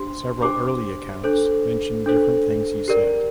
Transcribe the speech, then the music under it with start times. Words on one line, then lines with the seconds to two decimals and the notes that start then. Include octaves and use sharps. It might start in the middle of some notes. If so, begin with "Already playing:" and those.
Several early accounts mention different things he said.
Already playing: D4 G4 C5 C6
0.42 D4 G4 C5 D6
1.24 D4 A4 C5
2.06 D4 A4 C5
2.88 G4 A#4 D5